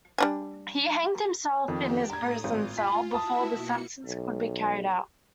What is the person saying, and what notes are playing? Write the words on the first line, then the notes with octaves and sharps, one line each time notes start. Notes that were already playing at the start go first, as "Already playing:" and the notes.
He hanged himself in his prison cell before the sentence could be carried out.
G3 D4 G#5
F2 D#3 D4 G4
A2 A3 A#5 D#6 G#6
G#1 F4
G#5 B6
E4 F#4 E5 A5 D#6
B2 A#3 C#7
B1